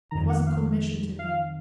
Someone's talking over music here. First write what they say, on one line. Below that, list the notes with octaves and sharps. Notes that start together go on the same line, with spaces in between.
It was a commission to me!
F2 D#3 A#5
F#5
F5
F5